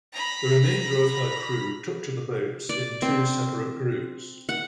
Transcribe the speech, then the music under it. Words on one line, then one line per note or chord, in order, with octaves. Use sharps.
The remainder of her crew took to the boats in two separate groups.
A#5 B5
D5
C4
F#5